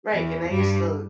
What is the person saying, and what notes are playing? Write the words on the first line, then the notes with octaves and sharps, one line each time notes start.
Right, and I used to,
E2 E3
G2 G3